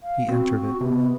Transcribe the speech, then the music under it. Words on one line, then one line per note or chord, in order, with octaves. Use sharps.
He entered it.
F5
C4 F#4
C3 B3